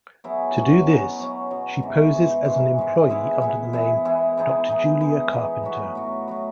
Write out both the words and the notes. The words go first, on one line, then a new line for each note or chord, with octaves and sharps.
To do this, she poses as an employee under the name "Doctor Julia Carpenter".
F#3 B3 E4 G#4
B2 F#3 C#4
B2 F#3 C#4
B2 F#3 C#4
B2 F#3 C#4
G#2 E3 G#3
G#2 E3 G#3
G#2 E3 G#3
G#2 E3 G#3
E3 B3 E4 G#4
E3 B3 E4 G#4
E3 B3 E4 G#4
E3 B3 E4 G#4
E3 B3 D#4 G#4
E3 B3 D#4 G#4
E3 B3 D#4 G#4
E3 B3 D#4 G#4
A2 F#3 B3 F#4
A2 F#3 B3 F#4
A2 F#3 B3 F#4